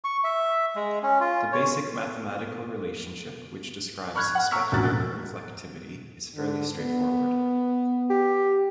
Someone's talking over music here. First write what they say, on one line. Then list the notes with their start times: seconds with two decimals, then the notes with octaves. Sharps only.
The basic mathematical relationship which describes specular reflectivity is fairly straightforward.
0.04 C#6
0.24 E5
0.76 G#3
1.03 C#4
1.20 F4
1.52 C#5
4.15 B5 C#6 F6 F#6 G#6
4.35 F#5
4.51 A#5 C#6 E6 F6 B6
4.72 E1 A1 F#4 F#6 A6
6.35 D3
6.78 B3
8.10 G4